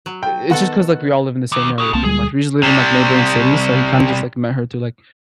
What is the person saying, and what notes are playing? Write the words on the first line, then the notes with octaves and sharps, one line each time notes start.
i it's just 'cause, like, all live in the same area pretty much, we just live in, like, neighboring cities, so he kind of just like met her through, like,
F#3
G5
D#3 B3 F#4 A4 F#5
D#2
F#4 G#4
C2 A#3 C4 C5 A5
D2 G3 G#3 G#4
C3 G3